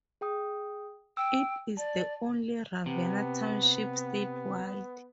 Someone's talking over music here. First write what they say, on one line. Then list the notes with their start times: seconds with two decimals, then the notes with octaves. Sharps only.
It is the only Ravenna Township statewide.
0.21 G#4 G5 D#6
1.17 G5 E6
1.77 D5 A5
2.86 C3 B3